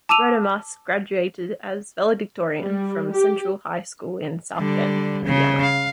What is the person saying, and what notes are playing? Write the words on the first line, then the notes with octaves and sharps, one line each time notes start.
Brademas graduated as valedictorian from Central High School in South Bend, Indiana.
A5 D6 E6 D#7 F7
G3
G4
D3 G3
C#3
F5